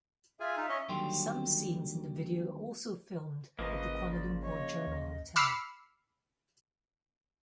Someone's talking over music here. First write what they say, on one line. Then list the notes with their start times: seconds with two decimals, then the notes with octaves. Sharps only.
Some scenes in the video also filmed at The Kuala Lumpur Journal hotel.
0.40 F4 G#4 E5 G#5
0.57 D#4 F4
0.69 C#4 C#5 D#5
0.89 D#2 D3 F#3 G3 G5 C6
3.59 G#1 C#3 F3 A#3 B4 D#5
4.11 D5
4.43 C#5 D#5
4.87 D#2
5.36 B5 D6 E6 F6 C7 C#7